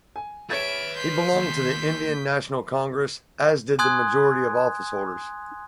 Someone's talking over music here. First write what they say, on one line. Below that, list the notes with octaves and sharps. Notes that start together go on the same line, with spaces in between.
He belonged to the Indian National Congress, as did a majority of the officeholders.
G#5
G#4 B4 C#5 E5 G#6 A6 D7
C6 G6 B6
D#2
G#5 C6 D#6 F#6 G#6